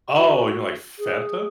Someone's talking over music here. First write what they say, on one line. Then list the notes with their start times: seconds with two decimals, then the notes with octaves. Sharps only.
Oh, you mean, like, Fanta?
0.18 F#4
0.99 G#4